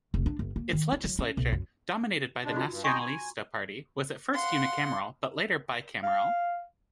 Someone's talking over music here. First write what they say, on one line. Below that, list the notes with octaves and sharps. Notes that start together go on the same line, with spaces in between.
Its legislature, dominated by the Nacionalista Party, was at first unicameral, but later bicameral.
F1
D4
G1
A#3
D#3
E4
F#3
C#4
B1
F#2
F2 G#3 D4
D#4 F4 F#4
G2
D#5 G5 G#5 A#5 C6 C#6
G#5
F5 F#5 C6
F5